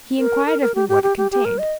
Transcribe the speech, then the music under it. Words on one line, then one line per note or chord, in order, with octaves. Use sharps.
He inquired of me what it contained.
A#4
A#4
A#4
G4
G4
G4
G4
G4
A#4
D#5